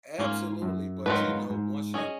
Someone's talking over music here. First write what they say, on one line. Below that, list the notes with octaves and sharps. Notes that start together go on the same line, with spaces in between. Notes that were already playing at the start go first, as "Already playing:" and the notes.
Absolutely, but, you know, once you
G#2 A#3 C#4 F4
F#2
G#2 D#3 F#3 A#3 F4 B4
G#2
G#2
C#4 G#4 D#5